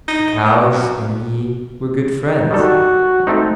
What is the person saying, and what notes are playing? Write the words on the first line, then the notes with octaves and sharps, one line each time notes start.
The cows and he were good friends.
D#4
B3
F#2
D#3 G3 F#4 A4
A3 C4 D#4